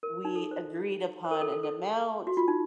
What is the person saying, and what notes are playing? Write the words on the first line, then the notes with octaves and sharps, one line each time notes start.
We agreed upon an amount.
A#4
D#4
A4
C5
C5
A#4
A4
A4
A4
F#4
F4
D#4